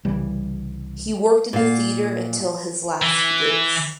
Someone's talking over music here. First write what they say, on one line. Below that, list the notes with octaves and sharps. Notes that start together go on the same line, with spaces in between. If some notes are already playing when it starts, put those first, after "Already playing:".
He worked in the theater until his last days.
C2 C#3 E3 G3
A#2 F5
E3